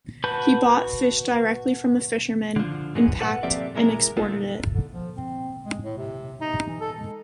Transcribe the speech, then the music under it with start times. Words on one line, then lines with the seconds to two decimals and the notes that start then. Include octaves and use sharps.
He bought fish directly from the fishermen, and packed and exported it.
0.24 F#4 B4 A5 B5 G6
2.56 D3 F3
2.95 G#2 D3 E3 F#3 G#3 B3
3.20 A#2 A4 B4 F#5
3.43 F3 A#3 C4 G4 D5 E5
3.75 A#2 G#3 E4 A#4
4.17 G#3 A3 D#4 F4
4.73 D3
4.92 F3
5.17 C4
5.65 G#3
5.83 A2
5.98 C3
6.40 D#4
6.68 E3
6.80 A4
6.97 G#3